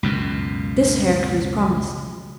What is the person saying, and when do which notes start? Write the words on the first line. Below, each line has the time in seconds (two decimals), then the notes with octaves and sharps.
This Heracles promised.
0.03 C#2 F#2 B2